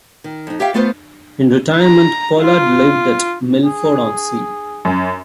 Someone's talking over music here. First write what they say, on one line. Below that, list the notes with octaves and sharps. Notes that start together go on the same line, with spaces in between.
In retirement Pollard lived at Milford-on-Sea.
D#3
F2 D#4
G4 C#5 E5 F5 G5
A3 B3 F4 B4 C5
A#5
F4
G#4
F#2